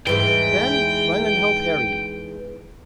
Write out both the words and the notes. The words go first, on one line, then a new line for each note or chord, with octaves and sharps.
Ben, run and help Harry.
E2 G#2 E3 G5